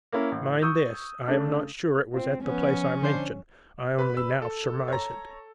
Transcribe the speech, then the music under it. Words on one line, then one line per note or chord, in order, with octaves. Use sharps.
Mind this, I am not sure it was at the place I mention; I only now surmise it.
A#3 C#4 E4 A#4
A1
C#6 D#6 E6 G6
C#3 A3 D4
C4 F4 C5
F3 B3 C#4
D3 D4 C5 F5
B4 B5
E6
A4
C#5 A#5